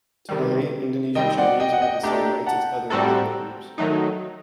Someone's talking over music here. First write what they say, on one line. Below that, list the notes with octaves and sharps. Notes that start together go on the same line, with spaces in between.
Today, Indonesian Chinese hold the same rights as other ethnic groups.
C3 D#3 G3
D#3 G3 C4 D#5 G5
D5 F#5
D#5 G5
F#5
D#5 G5
A3 D4 G4 G5 A#5
F#5 A5
A2 G3 C4 F#4 A4 G5 A#5
D#3 F#3 A3 D#4